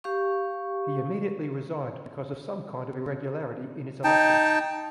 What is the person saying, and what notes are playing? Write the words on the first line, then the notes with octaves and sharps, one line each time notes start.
He immediately resigned because of some kind of irregularity in his election.
G4 F5 C#6
D#4 G5 A5